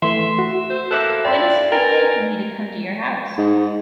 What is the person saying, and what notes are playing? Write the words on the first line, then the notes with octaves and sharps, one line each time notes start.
When is a good day for me to come to your house?
E3 A3 E5 C6
F#4
C5
A#3 E4 A4 F#6
D5 G5 B5 C6
A#4 B4 G5 G#5 A6
G#2